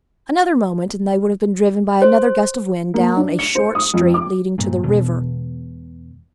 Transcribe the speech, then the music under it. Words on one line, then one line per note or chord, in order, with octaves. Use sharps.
Another moment, and they would have been driven by another gust of wind down a short street leading to the river.
C5
A#3
D4
C#7
C5
D#6
F2
D6
G2 A#2
E1 E2 B2